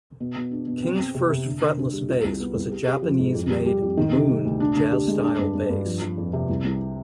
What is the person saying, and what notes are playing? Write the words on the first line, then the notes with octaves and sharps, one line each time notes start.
King's first fretless bass was a Japanese-made "Moon" Jazz-style bass.
B2
B2
D4
B2
C4
C4
C3
C3
D3
D3
D3
G3
F4
C2
B3
C2
G4
G4
F3
G#2
F2
G3
G3
F2
D#3
C3
G3
D2
D4
D3
G4
G#3
D4
G2
G2
G2
F3
F3
F2
C3
C2
C2